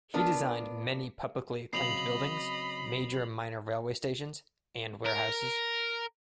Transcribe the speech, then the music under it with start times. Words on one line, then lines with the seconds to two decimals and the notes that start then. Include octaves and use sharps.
He designed many publicly acclaimed buildings, major and minor railway stations, and warehouses.
0.14 B3 D4 F4 A#4
1.73 C#3 F#3 C4 D#5 B5 C7 F7 F#7
5.05 A#4